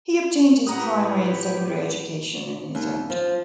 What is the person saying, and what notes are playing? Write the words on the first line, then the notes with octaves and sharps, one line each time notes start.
He obtained his primary and secondary education in his hometown.
A2 E4 G4 B4 F#5 A#5 D#6
D#2
F3